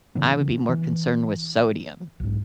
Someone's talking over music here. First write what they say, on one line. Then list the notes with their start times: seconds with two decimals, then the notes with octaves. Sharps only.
I would be more concerned with sodium.
0.15 C#3 E3 B3
0.69 E3
2.20 B1 G#2